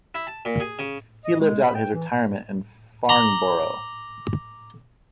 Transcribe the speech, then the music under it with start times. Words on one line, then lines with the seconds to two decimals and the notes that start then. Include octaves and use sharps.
He lived out his retirement in Farnborough.
0.15 E4
0.27 A5
0.45 A#2
0.60 G#4
0.79 C#3
1.25 D#5
1.40 G#3
1.64 B5
1.75 G5
1.93 E3
3.09 A#5 D6 F#7 G7